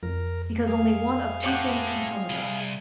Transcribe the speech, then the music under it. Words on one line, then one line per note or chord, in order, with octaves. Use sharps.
"Because only one of two things can come of it."
F2 A#4
G#4 F5
A2 C4 G4 F#5
C2